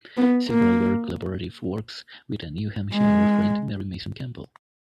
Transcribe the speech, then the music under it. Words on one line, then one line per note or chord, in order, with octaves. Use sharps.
Several were collaborative works with a New Hampshire friend Mary Mason Campbell.
B3
A#3
G#3